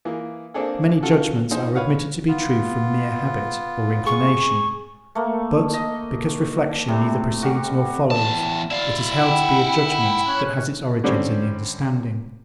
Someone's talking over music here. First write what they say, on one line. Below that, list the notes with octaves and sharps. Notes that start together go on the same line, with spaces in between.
Many judgements are admitted to be true from mere habit or inclination; but, because reflection neither precedes nor follows, it is held to be a judgement that has its origin in the understanding.
E3 A#3 G#4
A#3 C4 D4 G#4 A4
C#3 F4 F#4 A4
F3 D#4 G#4 C5
B4 C#5 F5 F#5
B3 F4
G#4 C#6
A3 A#3
D#5
A2 C3 G3
G3 F#4
E2 A5
E4 D5 F5
F#5 G5 B5
C#4 C#5 F#6
D3 G3 C4 C#4